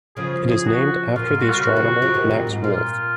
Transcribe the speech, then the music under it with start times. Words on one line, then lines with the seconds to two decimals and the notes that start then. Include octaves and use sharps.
It is named after the astronomer Max Wolf.
0.17 C#3 F3 G#4
0.50 G#4
0.66 F#4
1.16 A#2 F4
1.28 G#2
1.40 A#2 F#4
1.50 C#3 F4
1.59 F#4
1.65 C3 D#3
1.77 C#3 F3
2.02 C#3 F3
2.14 C3 D#3
2.31 A#2
2.47 G#2
2.64 A#2 F4